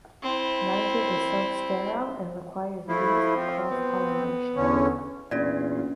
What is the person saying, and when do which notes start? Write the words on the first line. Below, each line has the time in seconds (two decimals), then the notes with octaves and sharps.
Niger is self-sterile and requires bees for cross pollination.
0.23 C4 E4
2.89 F3 A3 E4
3.36 C4
3.71 B3
4.56 E2 D3 C#4
5.31 E2 A#2 A#3 C#4 D4 F4 D5